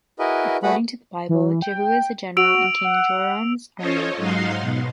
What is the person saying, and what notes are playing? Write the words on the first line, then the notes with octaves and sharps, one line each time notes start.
According to the Bible, Jéhu is a general in King Joram’s army.
E4 F#4 G#4 A#4 B4 D#5
A3 F#4 G#4 B4 F#5 B5
E3
G5
F#4 E6 D7 F7
F#5
C#4 F4 A4 C5 C#5 D#5
G#2 F#3 D#4 F#4 F5 C6
B2